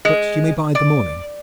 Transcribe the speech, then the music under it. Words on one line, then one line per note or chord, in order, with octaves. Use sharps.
"But you may bide the morning?"
G#3
D5